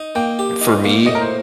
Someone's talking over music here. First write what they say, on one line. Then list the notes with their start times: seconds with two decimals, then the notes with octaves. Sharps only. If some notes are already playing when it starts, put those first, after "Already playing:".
For me
Already playing: D#4
0.15 A#3 G5
0.39 G4
0.61 D#4
0.84 A#3
1.06 A2 D#5
1.15 A#4
1.21 C5